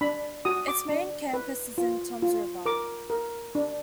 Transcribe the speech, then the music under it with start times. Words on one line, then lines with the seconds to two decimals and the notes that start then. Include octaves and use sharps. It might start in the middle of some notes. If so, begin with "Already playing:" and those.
Its main campus is in Toms River.
0.01 D4 B5
0.45 F#4 D#6
0.68 D6
0.89 D4
1.34 B4
1.78 F4
2.22 F4
2.66 A#4 D6
3.10 A#4
3.55 D4